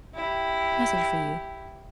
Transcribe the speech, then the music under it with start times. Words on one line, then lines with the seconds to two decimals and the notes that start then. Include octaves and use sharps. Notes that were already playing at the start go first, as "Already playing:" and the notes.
Message for you.
0.16 E4 G4